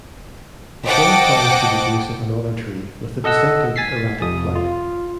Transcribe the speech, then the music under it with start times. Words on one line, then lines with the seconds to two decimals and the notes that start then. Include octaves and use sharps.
It then flies to the base of another tree with a distinctive erratic flight.
0.86 C5 D#5 F#5 G5 A5 D6
3.24 A4 D#5 F#5 E6
3.76 G#5 A6 B6 C7
4.22 F2 C3 D#6
4.55 F4